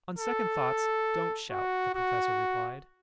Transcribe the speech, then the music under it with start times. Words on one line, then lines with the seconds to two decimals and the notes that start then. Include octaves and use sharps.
"On second thoughts, don't shout," the Professor replied.
0.18 A4
1.51 F#4
1.95 F#4